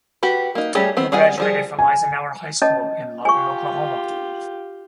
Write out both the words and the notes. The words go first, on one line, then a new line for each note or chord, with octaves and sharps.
Hill graduated from Eisenhower High School in Lawton, Oklahoma.
F#4 G4 B4
A#3 D#4
G3 A3 C#4 G4 G#4
B3 C4
G3 G#4 F#5 G#5
F3 G3 G#4
G#5
C#4 D#5 A5
F4 G4 G#5 C#6